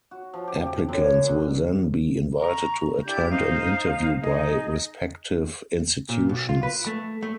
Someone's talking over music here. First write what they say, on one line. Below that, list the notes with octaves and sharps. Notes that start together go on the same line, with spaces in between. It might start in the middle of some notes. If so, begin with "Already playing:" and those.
Applicants will then be invited to attend an interview by respective institutions.
F#4
F3
G4
G4
F#2
G#5
G2
A#5 C#6
D4 E4 G4 G6
D#4 C5 F5
D#4 G#4 D#5
A#2
B1
F4
B4
A3
A3